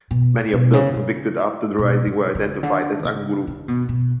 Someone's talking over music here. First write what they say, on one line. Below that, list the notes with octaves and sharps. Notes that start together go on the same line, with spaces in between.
Many of those convicted after the rising were identified as "Anguru".
B2
B2
C#3
C#3
B2
C#3
C#3
D3
C#3
C#3
B2
B2